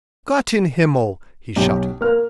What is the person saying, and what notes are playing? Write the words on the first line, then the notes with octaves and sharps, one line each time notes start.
"Gott in Himmel!" he shouted.
B1 C#4 G4
A#3 F6